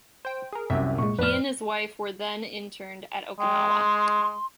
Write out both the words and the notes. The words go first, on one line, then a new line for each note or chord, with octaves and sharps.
He and his wife were then interned at Okinawa.
C5 G5
G#4 A#4
C2 F#2 E5
A#2 G#3 C#6
F2 A2 B4 D5 F6
G#3 G5
C6